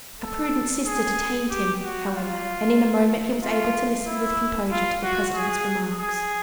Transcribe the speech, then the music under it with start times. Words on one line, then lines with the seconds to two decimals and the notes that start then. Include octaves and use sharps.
A prudent sister detained him, however, and in a moment he was able to listen with composure to the President's remarks.
0.22 A4
0.86 G#4
1.50 G4
1.83 F#4
2.15 F4
3.43 F4
4.07 E4
4.71 F4
5.03 F#4
5.35 G#4
5.99 G#4